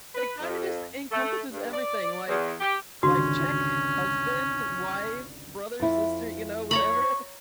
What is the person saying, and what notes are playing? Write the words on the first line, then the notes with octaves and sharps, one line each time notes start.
It kinda just encompasses everything, like, life check, husband, wife, brother, sister, you know, whatever.
B4
F2
A3
G2
D5
E2
G4
G#1 C#2 D3 C#4 F#4
F2 E4
C#5 A#5 B5 C#6